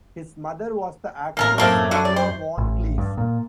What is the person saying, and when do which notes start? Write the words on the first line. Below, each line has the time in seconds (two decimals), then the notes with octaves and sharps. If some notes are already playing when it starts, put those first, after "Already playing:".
His mother was the actress Karla van Cleef.
1.37 A1 A#3 C4 A4 A#4
1.58 F#2 A3 A#3 C4 E5 D6
1.72 G#6
1.91 D3 F#4
2.05 D5
2.16 C5
2.58 A1
2.98 G2
3.18 A#2